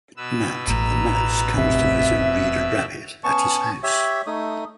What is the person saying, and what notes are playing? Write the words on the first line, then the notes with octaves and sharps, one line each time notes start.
Mat the Mouse comes to visit Reader Rabbit at his house.
B2 B4 E6
A1 A2 A#5
F1 C3 E5
B3 C#4 A5 C#6
G4 C#5 E5
A3 D#4 D#6